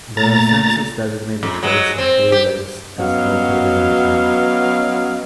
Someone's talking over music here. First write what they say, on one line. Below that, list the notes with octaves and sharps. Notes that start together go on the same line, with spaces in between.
The census-designated place of Three Lakes is located in the town.
A#2 A3 A#5 A6
F2
F#3 G#3
C4
G4
F#3 B3 C#4 F#4 D#5 F5